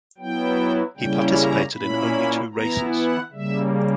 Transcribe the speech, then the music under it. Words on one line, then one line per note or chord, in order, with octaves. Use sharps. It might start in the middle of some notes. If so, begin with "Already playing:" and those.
He participated in only two races.
F#3 B3 E4 G5
C#3 G3 A#3 C#4 E4 G5
A#5
A#2 A#3 C#4 E4 B5
E3 B3 E4 A#5
F#5
C#3 G3 A#3 E5